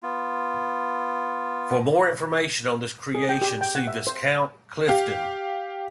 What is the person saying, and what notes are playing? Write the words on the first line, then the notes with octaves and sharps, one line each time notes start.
For more information on this creation, see Viscount Clifden.
B3 F4
G#4
G5
G4
G5
F#5
E5
C5
G4 F5